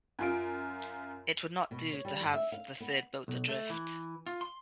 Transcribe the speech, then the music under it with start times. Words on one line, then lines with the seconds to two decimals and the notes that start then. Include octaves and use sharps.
It would not do to have the third boat adrift.
0.19 F#2 F4 D7
1.71 B2
1.92 C#5
2.05 G3
2.21 G2
2.35 E5
2.52 F5
2.80 B3
3.28 B1
3.49 A3
3.70 E3
4.27 F4
4.41 C6